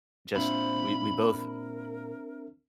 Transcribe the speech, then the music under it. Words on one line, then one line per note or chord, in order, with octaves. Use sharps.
just we we both
A#2 C4 D4 C5 E5 B5
A#4